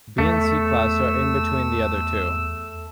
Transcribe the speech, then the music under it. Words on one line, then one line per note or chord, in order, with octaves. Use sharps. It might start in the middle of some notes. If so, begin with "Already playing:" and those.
B and C-Class are in between the other two.
E2 A3 E6